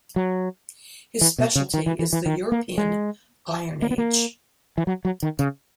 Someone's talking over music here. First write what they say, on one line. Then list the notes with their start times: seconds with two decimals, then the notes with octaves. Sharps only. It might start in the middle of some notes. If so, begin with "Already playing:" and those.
His speciality is the European Iron Age.
0.16 F#3
1.21 E3
1.38 B2
1.55 C#3
1.74 D#3
1.86 E3
1.99 E3
2.13 E3
2.26 D#3
2.52 A#3
2.78 G#3
3.82 A#3
3.91 B3
3.98 A#3
4.78 E3
4.87 F#3
5.05 F#3
5.23 D#3
5.39 C#3